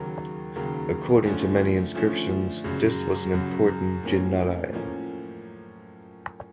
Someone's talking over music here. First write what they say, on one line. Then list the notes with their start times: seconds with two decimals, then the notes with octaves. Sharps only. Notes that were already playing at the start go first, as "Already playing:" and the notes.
According to many inscriptions this was an important Jinalaya.
Already playing: D#2 C#3 F#3 A#3
0.56 D#2 C#3 F#3 A#3
1.26 D3 F3 A3 C#4
1.95 D3 F3 A3 C#4
2.64 F#2 C#3 F#3
3.33 F#2 C#3 F#3
4.03 A2 F3 A#3 C#4
4.72 A2 F3 A#3 C#4